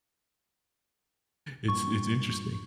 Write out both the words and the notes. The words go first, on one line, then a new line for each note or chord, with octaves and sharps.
It's it's interesting.
G2 A#2 C#6